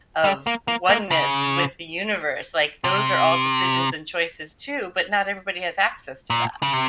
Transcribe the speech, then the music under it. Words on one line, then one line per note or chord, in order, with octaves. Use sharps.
of oneness with the universe? Like, those are all decisions and choices too, but not everybody has access to that.
G3
A#3
A#3
A#3
C#3
C3
A#2
C#3
C3